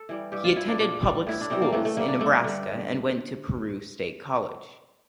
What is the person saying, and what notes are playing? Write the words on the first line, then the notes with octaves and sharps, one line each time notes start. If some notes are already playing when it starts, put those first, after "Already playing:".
He attended public schools in Nebraska and went to Peru State College.
Already playing: A4
E3 G3
G2 G4
F4
F3 E4
D4
A#2 D4
G3
A2 E4
D4
E3 G3 C4
A#3
A2 A3
A3
G3 A#3
D4
G2 A3
D3 G3